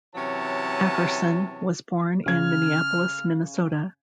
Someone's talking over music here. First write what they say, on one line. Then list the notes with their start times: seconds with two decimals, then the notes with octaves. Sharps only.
Akerson was born in Minneapolis, Minnesota.
0.15 C3 E3 F#3 C#4 A5
2.26 C#3 F6 G#6